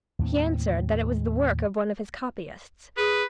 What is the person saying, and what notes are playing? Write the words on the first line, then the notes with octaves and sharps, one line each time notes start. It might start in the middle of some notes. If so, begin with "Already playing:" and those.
He answered that it was the work of one of his copyists.
D#2 A2 G3 C4
G#4 B4